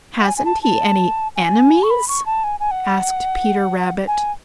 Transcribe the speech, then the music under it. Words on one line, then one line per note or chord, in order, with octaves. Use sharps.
"Hasn't he any enemies?" asked Peter Rabbit.
F#5
G#5
G#5
A5
A5
G#5
C#6
B5
C#6
A5
G#5
G#5
F#5
G#5